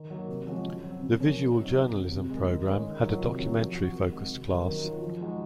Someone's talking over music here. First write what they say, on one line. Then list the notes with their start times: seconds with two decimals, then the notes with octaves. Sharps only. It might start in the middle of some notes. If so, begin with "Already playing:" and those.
The Visual Journalism Program had a documentary focused class.
Already playing: D#3
0.10 F#3 A#3
0.28 C3
0.47 F3 G#3 C#4 F#4
0.65 C#3
0.84 F#3 C4
1.02 C#3
1.20 F3 A#3 C#4 F4
1.38 C#3
1.56 F#3 C4 D#4
1.74 C3
1.93 F#3 C4
2.11 C3
2.30 D#3 G#3
2.48 D#3
2.65 G#3 C#4
2.84 D#3
3.03 F#3 A#3 F4
3.21 C3
3.38 D#3 F#3 C#4 F4
3.57 F3
3.74 C4 F#4
3.94 D#3
4.11 G#3 C4 F#4
4.30 C3
4.47 F#3 A#3 C#4
4.66 D#3
4.83 F#3 C#4 F4
5.02 F3
5.21 G#3 D#4 F#4